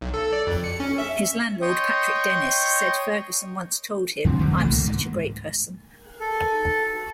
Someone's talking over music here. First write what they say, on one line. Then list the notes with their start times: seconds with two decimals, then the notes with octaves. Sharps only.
His landlord Patrick Denis said Ferguson once told him, I'm such a great person.
0.01 B1
0.14 A4
0.33 D5
0.47 F2
0.64 C#7
0.80 C#4
0.98 E5
1.62 C#5 D#5 G5 C6 C#6 D#6
4.25 F2 D3 B3 C4
4.39 E1 D3 F#3
4.58 C2 B2 E3 A3
4.70 C#2 D#3 A#3
4.86 G#2
6.20 A4